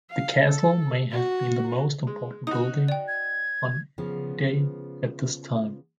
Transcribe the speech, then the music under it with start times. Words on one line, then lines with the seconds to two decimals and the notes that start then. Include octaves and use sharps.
The castle may have been the most important building on Eday at this time.
0.10 F5
0.46 A4
1.11 F#4
2.07 G#3
2.47 D#4 F#4 D#6
2.88 D5 G5
3.08 G#6
3.98 C#3 F3 B3